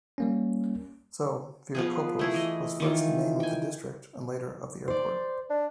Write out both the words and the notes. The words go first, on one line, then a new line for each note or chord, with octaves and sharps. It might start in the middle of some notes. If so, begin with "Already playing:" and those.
So "Viracopos" was first the name of the district and later of the airport.
G3 A#3 C#4
F3 B3 G#4
A3 E4 G#4
E3 D#5
D#3 E3 F4
G5 G#5
C5 D5
D4